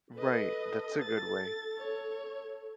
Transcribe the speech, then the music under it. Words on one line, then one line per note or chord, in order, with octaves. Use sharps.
Right, that's a good way.
A4 B4 D#5
A6
C#5